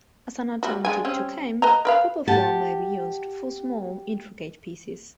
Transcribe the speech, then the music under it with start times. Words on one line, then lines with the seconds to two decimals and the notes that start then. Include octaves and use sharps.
As an alternative to came, copper foil may be used, for small, intricate pieces.
0.63 G3 F#4
0.85 G#3 D4 G#5
1.05 G3 C4 C#4
1.62 B4 D#5 A#5
1.85 A#4 B4 F5
2.28 G4 F#5 A5